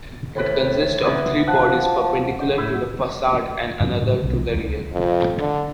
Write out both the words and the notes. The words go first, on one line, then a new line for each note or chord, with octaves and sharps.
It consists of three bodies perpendicular to the facade and another to the rear.
D#2 A2 B4 C5
D3 B3 E4 B4
F3 F#5 A5
C5 F#5
A2 E4
G2 C#3 F#3 C#4
A2
B1 C#3
C#2
F2
D3